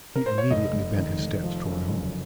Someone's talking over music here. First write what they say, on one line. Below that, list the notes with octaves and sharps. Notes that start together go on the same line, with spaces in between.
He immediately bent his steps toward home.
A#4
C5
C#5
F1 D#5
F1
D#3
F1
F3
F#2
F#1